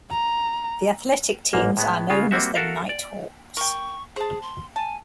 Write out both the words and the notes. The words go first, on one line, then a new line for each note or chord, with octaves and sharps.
The athletic teams are known as the Night Hawks.
A#5
A1 G#2 A#3
A2 G#3 B3
C#3 G#3 F4
G3 A#3 C4 F#4 E5
F#4 A4 A#4 E5 F5
D5
A#4 G5 C#6
G#4 C5 A5
C6
G#5 A5